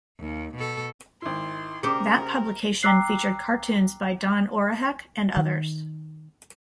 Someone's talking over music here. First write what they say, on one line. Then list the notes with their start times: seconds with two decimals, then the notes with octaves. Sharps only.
That publication featured cartoons by Don Orehek and others.
0.19 D#2
0.55 B2 A4
1.22 G#1 E4 C6
1.83 C#3 G4 G#4 A#4 C5 D6 D#6 C#7
2.83 G5 A#5 D6 E6 F#6 C7
5.37 D#3